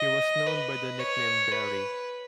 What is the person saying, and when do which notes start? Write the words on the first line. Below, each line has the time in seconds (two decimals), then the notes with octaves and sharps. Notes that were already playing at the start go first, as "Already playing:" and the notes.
He was known by the nickname Berry.
Already playing: D#5
0.46 B4
0.99 C#5
1.51 B4